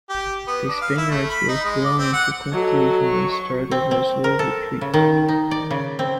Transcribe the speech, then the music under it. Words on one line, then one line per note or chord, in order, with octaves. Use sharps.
The Spaniards were thrown into confusion and started a slow retreat.
G4
B3
D4
F5
E4
A3
B5
D#4
G#3
D5
C4
F#5
F#3 A4 D#5
C#6
C4
C4
A#4
A4
C#3
D#3
D#4
D5
C#3
C4